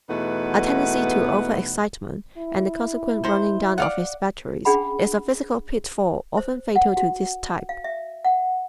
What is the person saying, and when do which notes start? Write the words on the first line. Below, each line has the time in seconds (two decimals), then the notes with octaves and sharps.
A tendency to over-excitement and the consequent running down of his batteries is a physical pitfall often fatal to this type.
0.09 E2 B2 A3 D#4 B4 F#5
2.38 E4
3.24 D#3 C5
3.78 D5 F5 F#5
4.65 C#4 D4 G#4 F#5 B5
6.37 C5
6.76 F#5
6.97 F#4
7.69 F5
7.84 E5
8.25 F#5